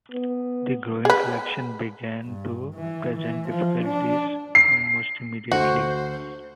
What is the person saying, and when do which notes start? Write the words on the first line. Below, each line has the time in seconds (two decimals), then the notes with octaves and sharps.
The growing collections began to present difficulties almost immediately.
0.12 B3
1.05 G#4 B4
2.24 G2
2.75 E3
3.16 E3
3.49 F3
3.84 D4
4.55 C7
5.52 D2 F#4 C5